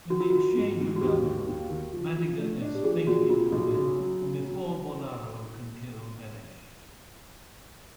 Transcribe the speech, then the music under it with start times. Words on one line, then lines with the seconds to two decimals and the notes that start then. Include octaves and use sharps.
In the exchange of gunfire, Madigan is fatally wounded before Bonaro can kill Benesch.
0.10 D#3 F#4
0.20 F4
0.30 D#3 F#4
0.56 G#2
0.79 G#2
0.96 F#4
1.01 D#2 G4
1.24 D#3
1.47 D#2
1.70 D#3
1.93 F3
2.16 F3
2.38 A3
2.62 D4
2.75 G4
2.84 F3 G#4
3.07 A#2 F#4
3.29 A#2 F4
3.52 B1 F#4
3.75 C#3 F#4
3.99 F#3
4.22 C#3
4.44 F#3
4.66 E4